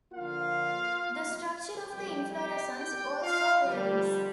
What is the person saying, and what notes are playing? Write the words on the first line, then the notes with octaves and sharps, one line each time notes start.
The structure of the inflorescence also varies.
D3 F3 A#3 F4 F5
F2 C3 G3 G4 G5
G4 G5
G4 G5
F4 F5
F2 D3 G3